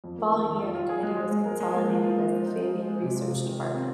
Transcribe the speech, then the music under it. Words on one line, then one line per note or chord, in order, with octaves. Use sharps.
The following year the committee was consolidated as the Fabian Research Department.
F2
A#3
D#3
D#3
F4
F4
G#4
G#3
G#3
G#3
A#4
G#3
A#3
F3
F4
F3
C5
D#4
G#3
G#3
G#3
C3
F4
C3
D#3
F4
C4